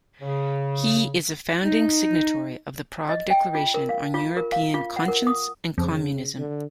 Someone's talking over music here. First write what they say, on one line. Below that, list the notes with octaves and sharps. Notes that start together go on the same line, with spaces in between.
He is a founding signatory of the Prague Declaration on European Conscience and Communism.
C#3
D#4
D#5
G5
F4
A#4
F5
F4
A#4
F5
F4
F#5
A#4
D#6
F2 C#3
D3